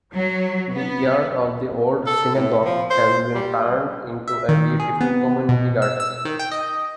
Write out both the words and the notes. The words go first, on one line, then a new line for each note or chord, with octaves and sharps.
The yard of the old synagogue has been turned into a beautiful community garden.
F#3
B3
A4
A2
F3
C5
G3
E5
D#3
G#4
B3
B2
E6
E6
D#3
G5
D#5